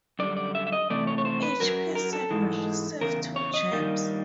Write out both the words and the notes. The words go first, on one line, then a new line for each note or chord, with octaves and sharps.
Each person will receive two jabs.
F#2 D3 G3 D5
D5
E5
E5
D#5
C3 E3 A3 D5
C#5
C#5
C5
B4
F#2 D#3 F#3 A#4
A#4
A4
G#2 E3 G#3
E2 C#3 A#4
C#5
D#5
G2 D#3 G3 A#3